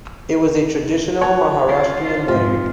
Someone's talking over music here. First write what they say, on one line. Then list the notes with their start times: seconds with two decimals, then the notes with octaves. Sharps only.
It was a traditional Maharashtrian wedding.
1.21 C#5 F#5 A5
1.67 F4 C5
2.28 F2 G#2 F4